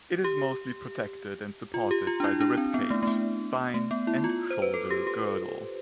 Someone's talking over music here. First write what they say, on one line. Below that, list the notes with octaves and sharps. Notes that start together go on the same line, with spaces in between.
It is mostly protected and supported by the rib cage, spine, and shoulder girdle.
G4
F4
G4
F4
D4
E4
D4
C4
B3
A3
A3
B3
A3
B3
E4
F4
C5
B4
A4
G4
G4